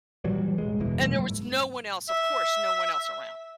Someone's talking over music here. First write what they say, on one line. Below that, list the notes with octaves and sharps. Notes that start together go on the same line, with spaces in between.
And there was no one else, of course, no one else around.
A#2 E3 F#3 G3
E1 A1 G#3
F#1 E2 B2 E3
B2 F#3 G#3 A#3
G#2
E5